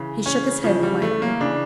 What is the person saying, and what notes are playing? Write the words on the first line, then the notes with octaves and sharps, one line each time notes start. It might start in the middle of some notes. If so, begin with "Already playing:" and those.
He shook his head quietly.
Already playing: C#3 E3
C#4
C#3 E3 F3
G3
A3
A#3
C#3 E3 D4